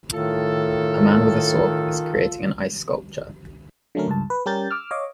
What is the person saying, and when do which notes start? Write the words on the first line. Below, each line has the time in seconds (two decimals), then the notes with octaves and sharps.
A man with a saw is creating an ice sculpture.
0.12 A2 D#3 F4 A4
3.95 D3 F#3 A3 C#4 A#4
4.08 C#2 G2 A5
4.30 B4
4.46 G3 C#4 G4 A#4 G6 A6
4.71 D6 E6 F6
4.91 C#5 D#5 F5 D6